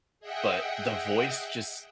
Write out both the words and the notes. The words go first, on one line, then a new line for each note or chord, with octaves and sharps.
but the voice just
G#4 D#5 E5 F#5 G5